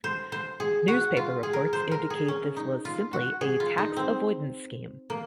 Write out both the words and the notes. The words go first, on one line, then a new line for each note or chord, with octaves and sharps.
Newspaper reports indicate that this was simply a tax-avoidance scheme.
C5
C5
G#4
F#4
F4
G#4
A#4
C5
A#4
G#4
C#4
D#4
F4
F#4
G#4
F4
D#4
C4
A#3